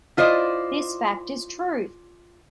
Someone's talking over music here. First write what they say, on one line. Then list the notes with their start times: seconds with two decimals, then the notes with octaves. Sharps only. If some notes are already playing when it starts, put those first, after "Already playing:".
This fact is truth!
0.17 E4 F4 C5 D5 D#5